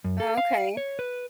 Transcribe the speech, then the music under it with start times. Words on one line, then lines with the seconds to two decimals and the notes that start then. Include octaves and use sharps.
Oh, okay.
0.04 F#2
0.20 A4
0.37 F5
0.77 C#5
0.99 B4